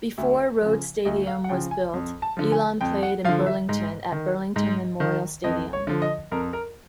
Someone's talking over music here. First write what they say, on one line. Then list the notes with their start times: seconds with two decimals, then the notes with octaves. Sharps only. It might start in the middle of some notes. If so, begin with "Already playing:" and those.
Before Rhodes Stadium was built Elon played in Burlington at Burlington Memorial Stadium.
0.18 D2 E5
0.62 C#3 F3
1.05 D2 D#5
1.27 F5
1.44 F#5
1.49 C#3 F3 G5
1.71 G#5
1.94 F2
2.22 A5
2.37 D3 F3
2.52 G#5
2.81 F2 G5
3.03 F#5
3.25 F3 F5
3.29 D3
3.46 E5
3.69 G#2
4.12 D#3
4.56 G#2
5.00 D#3
5.44 F2 D#5
5.73 C#5
5.87 D3 F3
6.02 D#5
6.32 F2 A#4
6.53 A#4